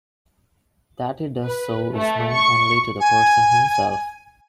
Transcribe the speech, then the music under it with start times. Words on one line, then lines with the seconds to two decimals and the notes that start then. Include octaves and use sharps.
That he does so is known only to the person himself.
1.42 B4
1.94 A3
2.33 C#6
3.00 G#5